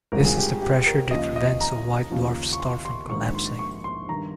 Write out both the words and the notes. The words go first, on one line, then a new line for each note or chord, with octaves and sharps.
This is the pressure that prevents a white dwarf star from collapsing.
G#1 G2 F3 A#4
G#4
G4
G4
A#4
D#2 C#3 F3 D#5
D#5
A#5
D#2 C#3 F3
C#6
C6
C6
A#1 G#2 D#3 C#6
C6
C#6
C6
G2 D#3 A#5